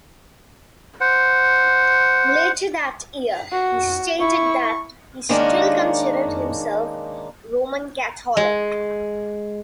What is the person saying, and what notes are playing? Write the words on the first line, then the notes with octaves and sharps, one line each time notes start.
Later that year, he stated that he still considered himself a Roman Catholic.
C5 F#5
F#4
E4 C#6
D#3 G#3 A#3 C#4 D4 A#4
G#3